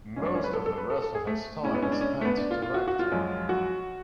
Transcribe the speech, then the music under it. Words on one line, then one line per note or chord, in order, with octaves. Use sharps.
Most of the rest of his time is spent directing.
F#2 F3 G#3 C#4
D4
C#4
B4
A4
A4
B4
A4
A4
G#4
A3
A2 G#3 C#4
B3
C#4
D4
C#4
A3
B3
D4
F4
F4
F#4
F#4
F4
F#2 F3 G#3
F#4